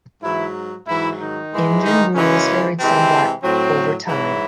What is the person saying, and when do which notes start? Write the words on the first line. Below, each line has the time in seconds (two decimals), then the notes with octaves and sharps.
Engine rules varied somewhat over time.
0.23 G#2 E3 F#3 E4
0.87 G#2 E3 F#3 E4
1.19 D#3 D#4
1.52 G#2 E3 G#3
1.83 D#3 D#4
2.15 F#2 C#3 E3 G#3 C#4
2.79 C3 E3 G#3 C4
3.43 A2 F#3 C4
4.07 G#2 E3 F#3 E4